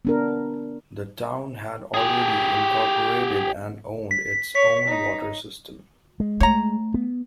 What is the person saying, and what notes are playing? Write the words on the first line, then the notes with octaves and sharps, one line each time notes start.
The town had already incorporated and owned its own water system.
B3 D4 A#4
G4 G#4
B6
C#5 B6
D#4
G#3
A3 C#5 A#5
B3